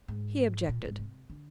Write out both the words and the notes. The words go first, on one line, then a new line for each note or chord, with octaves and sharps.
He objected.
G#2
A#2
G#2
C3
D3